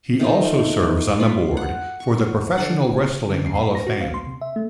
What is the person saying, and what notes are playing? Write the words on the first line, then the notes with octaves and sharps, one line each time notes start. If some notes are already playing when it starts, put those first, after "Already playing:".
He also serves on the board for the Professional Wrestling Hall of Fame.
D#3 A3 D#4 F4
F4 B5
F#5
C#6
D3 F#5 A5
D3
C7
B5
A#6
F#4
F5
C6
C3
E5
A3